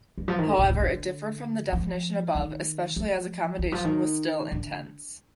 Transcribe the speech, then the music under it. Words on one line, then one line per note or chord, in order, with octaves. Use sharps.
However, it differed from the definition above, especially as accommodation was still in tents.
D3
F3
D#3
D3
C3
C3
D3
F3
D#3
F3
D#3
F3
D#3
D3